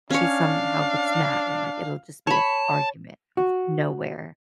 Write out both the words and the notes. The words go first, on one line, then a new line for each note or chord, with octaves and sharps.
she somehow gets mad and, like, it'll just be a f argument out of nowhere,
C#4 D4 C#5 F5
C#5 A5 B5
F#4